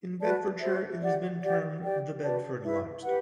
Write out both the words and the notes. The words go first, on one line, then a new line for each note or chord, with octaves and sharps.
In Bedfordshire it has been termed the Bedford limestone.
F#4 B4 D5 A5
F#4 C5 E5
G4 D5 F#5
G4 D5 F#5
G4 D5 G5
F#4 B4 D5 A5
E4 B4 E5
G4 B4 F#5